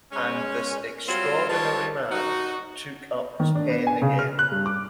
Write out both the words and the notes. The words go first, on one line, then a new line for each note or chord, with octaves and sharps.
And this extraordinary man took up his pen again.
G#3 C#4
F#3 G3 C4 F4
F3 G3 G#3 C#5 A5
D#4 F#4
D#3
D4
B3
G#5
C#3
F6
F#6
G2
D6